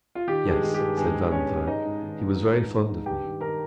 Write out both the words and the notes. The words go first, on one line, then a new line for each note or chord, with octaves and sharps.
"Yes," said Valentine, "he was very fond of me."
F4
D#3 G4
G2
G#3 G#4
D#3
G4
G2
G2 G#3 G#4
G2
G2 C#4 C#5
G2
G#3 D#4 D#5
G#2
D#3
G#2
G#3
G#2
G#3
G#2
G2 G4 G5
D#3
D#3 A#4 A#5